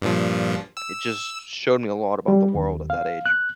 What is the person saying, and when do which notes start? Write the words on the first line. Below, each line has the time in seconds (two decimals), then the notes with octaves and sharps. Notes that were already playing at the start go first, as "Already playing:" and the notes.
it just showed me a lot about the world at that age.
0.02 G2 A#2 F3
0.77 E6
2.28 G3
2.55 D#2
2.90 F5
3.26 F#6